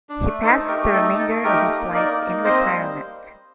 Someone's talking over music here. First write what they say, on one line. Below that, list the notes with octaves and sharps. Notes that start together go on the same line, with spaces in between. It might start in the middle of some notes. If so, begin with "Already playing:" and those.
He passed the remainder of his life in retirement.
D4
A3
D#4 A4 C5
A3
G4 A#4
A3
G4
D#4 A4
D#4
A4
A3
D#4 G4 A#4
A#3
A#3
D#4 A#4 D5
D#4
A#3
C4 C5 D#5
G3